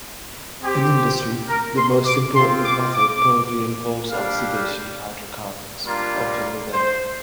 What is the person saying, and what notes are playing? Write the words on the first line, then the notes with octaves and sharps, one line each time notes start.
In industry, the most important method probably involves oxidation of hydrocarbons, often with air.
C4 G4
A#4
C6
D6
C4 F4 C6
D6
D6
G3 D4 G4 F5
G3 A#3 D4 F4
C5